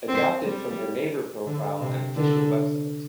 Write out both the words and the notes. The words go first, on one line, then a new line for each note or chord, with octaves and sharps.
Adapted from their Naver profile and official website.
C4
G3
D3
C3
D3